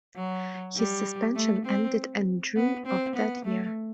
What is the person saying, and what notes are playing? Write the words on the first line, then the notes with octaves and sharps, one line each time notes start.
His suspension ended in June of that year.
F#3
G3
A3
C4
B3
C4
B3
A3